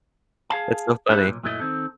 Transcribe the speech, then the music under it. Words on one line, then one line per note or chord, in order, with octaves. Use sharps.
That's so funny.
G#4 F5 A5
B3 D4 E4 G4 A4
B1 A#2
F#2 A#2 F#3 A3 E4 D#5
D#3 C4 A4